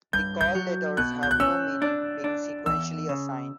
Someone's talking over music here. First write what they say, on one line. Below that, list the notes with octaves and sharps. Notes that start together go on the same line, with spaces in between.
The call letters have no meaning, being sequentially assigned.
G2 G6
G6
F#3
B2 F#6
G6
F#6
C#4 E6
D4
D4
E2 E6
C#3